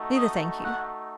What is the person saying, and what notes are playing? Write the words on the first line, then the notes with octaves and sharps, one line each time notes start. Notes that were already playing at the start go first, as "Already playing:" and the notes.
"Neither, thank you."
Already playing: A3 D#4 F#4
D#5
F#5